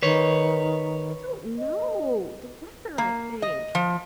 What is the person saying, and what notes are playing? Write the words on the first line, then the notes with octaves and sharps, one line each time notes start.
'I don't know--the weather, I think.
D#3 B4 C#5
D#5
A#3
D#5
F3